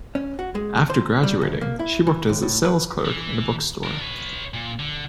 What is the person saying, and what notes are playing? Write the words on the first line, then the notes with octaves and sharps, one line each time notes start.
After graduating, she worked as a salesclerk in a bookstore.
C#4
F#4
G#3
C5
G3
D2
A#3
E4
E3
D#2
A2
B4
E3
D4 A#4
B4 C#5
A#2
D3